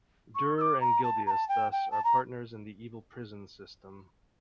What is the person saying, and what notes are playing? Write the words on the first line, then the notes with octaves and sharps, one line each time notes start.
Durer and Guildias thus are partners in the evil prison system.
C#6
E6
D6
A#5
A5
A#5
A5
G5
G5
A5
A#5